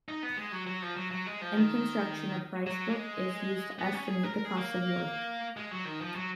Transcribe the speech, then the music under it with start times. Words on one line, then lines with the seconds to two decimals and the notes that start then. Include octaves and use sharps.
In construction a price book is used to estimate the cost of work.
0.09 D#4
0.23 B3
0.37 G#3
0.52 F#3
0.67 F#3
0.82 F3
0.96 F#3
1.11 F#3
1.26 G#3
1.41 F3
1.57 D#3
2.67 F#3
2.89 G#3
3.79 B3
3.93 C#4
4.07 G#4
4.23 A#4
4.34 A#4
4.45 G#4
4.56 A#3
5.57 G#3
5.72 F#3
5.85 D#3
6.01 F3
6.15 F#3